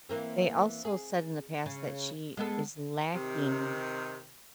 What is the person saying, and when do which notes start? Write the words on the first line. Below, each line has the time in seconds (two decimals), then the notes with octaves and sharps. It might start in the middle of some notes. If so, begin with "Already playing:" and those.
they also said in the past that she is lacking
0.09 E3 A#3 C4
0.85 G#4
1.66 C#3
2.37 G#3 B3 A4
3.15 C3 D#3